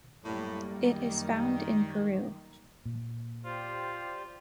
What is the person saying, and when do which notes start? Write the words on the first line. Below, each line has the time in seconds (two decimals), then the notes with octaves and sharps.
It is found in Peru.
0.24 F#2 A2 G3 A#3
0.82 D#3
2.86 A#2
3.45 F4 G4 C5 D5